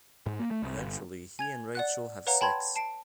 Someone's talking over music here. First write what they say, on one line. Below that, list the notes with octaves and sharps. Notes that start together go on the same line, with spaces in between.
Eventually, he and Rachel have sex.
G#2
A#3
A3
C2
G1
G#5 G#6 F7
D5 F#5 F#6
B4 C#5 F5 F#5 A#5
G5 A5 B5 C6 G#6
A5 C7 D7